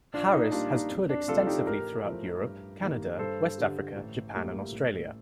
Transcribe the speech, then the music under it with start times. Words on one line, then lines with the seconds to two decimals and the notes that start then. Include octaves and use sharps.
Harris has toured extensively throughout Europe, Canada, West Africa, Japan and Australia.
0.13 A#1 D4 F4
0.33 D#4
0.51 A#2 G3 A#3 D4 F4
0.70 D#4
0.90 F2
1.10 D4
1.28 C3 F3 A3 F4 A4
1.47 D#4 G4
1.66 A1 G4 A#4
2.04 A2 F3 A3
2.43 G2
2.81 D#3 G3 A#3
3.19 G2 A4 C5
3.58 D3 G3
3.96 A1
4.33 A2 G3 A#3
4.72 A1